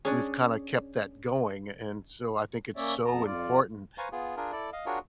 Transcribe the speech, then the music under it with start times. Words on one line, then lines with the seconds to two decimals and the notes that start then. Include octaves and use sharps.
we've kinda kept that going, and so, I think it's so important,
0.05 C#4 D4 G#4 C#5
2.77 A#3 C#4 C#5 D5 E5
3.05 F2 B3 A5 A#5
3.25 F2 F4 D5
3.98 B4 C5 F5 G#5 A#5 C#6
4.12 B3 F4 G#4
4.37 D4 F4 G#4 A#4
4.52 E4 A4 D5
4.73 D#5 F5
4.86 D4 F4 F#4 G#4 A#4 C#5